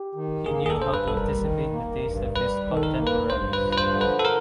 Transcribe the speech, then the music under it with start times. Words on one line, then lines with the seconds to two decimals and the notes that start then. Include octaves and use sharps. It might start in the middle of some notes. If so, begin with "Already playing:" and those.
He knew how to anticipate the taste of his contemporaries.
Already playing: G4
0.15 D#3
0.46 A#3 G#4
0.66 G#4
0.70 A4
0.78 G2 C5
0.94 B4
1.08 G3 A4
1.17 A#4
1.41 D#3
1.72 A#3
2.04 G2
2.36 G3 B4
2.68 D#3
2.77 A4
2.83 A#4
2.99 A#3
3.07 B4
3.30 G2 C5
3.53 B4
3.62 F3
3.72 B4
3.78 C5
3.93 D3
4.01 B4
4.19 A4
4.25 A#4